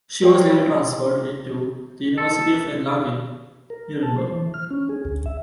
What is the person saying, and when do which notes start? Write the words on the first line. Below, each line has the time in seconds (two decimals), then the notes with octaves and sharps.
She was later transferred into the University of Erlangen–Nuremberg.
0.22 G4 A#4 C#5 D5 F5 G5
2.18 A4
3.70 A#4
4.03 A5
4.18 C5
4.32 E3
4.54 F6
4.70 C#4
4.89 G#4
5.05 D2
5.26 E5